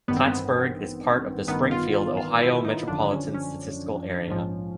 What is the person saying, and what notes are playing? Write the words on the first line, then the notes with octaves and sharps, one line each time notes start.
Plattsburgh is part of the Springfield, Ohio Metropolitan Statistical Area.
A1 G2 D#3 B3
C4
B3
A1 G2 D#3 B3
F4
F4
F4
E4
D#4
G#1 F#2 D3 F3 D4
C#4
C#4
A#1 G#2 F3